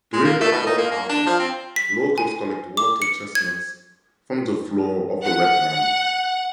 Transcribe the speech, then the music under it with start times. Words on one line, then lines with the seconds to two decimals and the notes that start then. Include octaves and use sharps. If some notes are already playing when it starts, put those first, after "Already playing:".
During the fall harvest, locals collect water chestnuts from the floor of the wetland.
0.13 G#3
0.25 A#3
0.41 A3
0.52 B2
0.67 D#4
0.78 A#3
0.91 A#3
1.09 D4
1.26 F3
1.39 C4
1.76 B6
2.18 G#5
2.77 D6
3.02 C#7
3.35 G#6
5.25 F#5